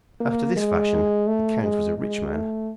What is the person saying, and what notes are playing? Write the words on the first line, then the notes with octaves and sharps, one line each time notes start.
After this fashion the count was a rich man.
A#3
G#3
A3
G#3
G#3
A3